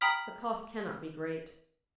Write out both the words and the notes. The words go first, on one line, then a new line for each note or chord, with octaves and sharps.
The cost cannot be great.
G5 A#5 B5 D#6 F6 B6